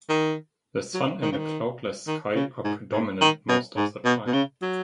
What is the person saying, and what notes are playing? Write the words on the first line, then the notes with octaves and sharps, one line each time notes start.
The sun and a cloudless sky are predominant most of the time.
D#3
F#3
D#3
C#3
D#3
D#3
C#3
G#2
G#2
D#3
B2
G#2
B2
B2
C#3
F#3